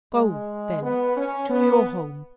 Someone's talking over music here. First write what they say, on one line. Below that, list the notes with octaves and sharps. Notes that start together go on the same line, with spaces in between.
Go, then, to your home.
G#3
B3
C#4
B3